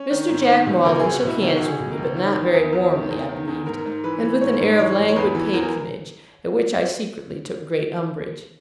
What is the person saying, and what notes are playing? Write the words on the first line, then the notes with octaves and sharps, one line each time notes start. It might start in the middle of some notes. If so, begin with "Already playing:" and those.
Mr. Jack Maldon shook hands with me; but not very warmly, I believed; and with an air of languid patronage, at which I secretly took great umbrage.
Already playing: C#4
D#3
G#2
D#3
B2
C#2 A#4
C#2 G#4
F#4
B2 E4
C#2 D#4
C#2 F#4
G#4
B2
A#4
C#2
D#3
E2
E2
E2
D#3
E2
D#3
E2
G#2 A#4
G#2
E3 B4
E3
G#2 C#5
G#2
E3 C#5
G#2
C#5
E2 B4
E3
E2 A#4